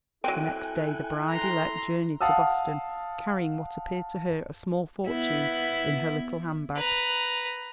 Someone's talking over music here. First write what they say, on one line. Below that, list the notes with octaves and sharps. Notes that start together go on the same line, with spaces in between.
The next day the bride-elect journeyed to Boston carrying what appeared to her a small fortune in her little hand-bag.
F#3 C4 E4 A4 G5 G#5 F#6
A#5 C6
F5 F#5 A5 D#6 E6
B3 E4
B4 A#5